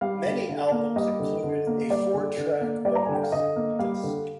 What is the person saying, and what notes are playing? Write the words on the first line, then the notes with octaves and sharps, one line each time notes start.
Many albums included a four-track bonus disc.
G3 F5
D3
D3
A#3
G3 D#5
D3
D3
A#3
G3 D5
D3
D3
A#3
G3 D5
A#5
D3 G#5
G5
F5
D3 D#5
A#3
G3 F5
D3